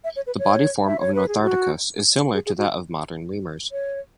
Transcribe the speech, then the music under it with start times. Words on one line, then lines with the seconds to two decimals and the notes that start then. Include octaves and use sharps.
The body form of "Notharctus" is similar to that of modern lemurs.
0.04 E5
0.16 C#5
0.27 B4
0.39 C#5
0.86 E5
1.00 C#5
1.14 B4
1.28 G#4
1.43 F#4
2.34 G#4
2.46 G#4
2.57 F#4
3.72 C#5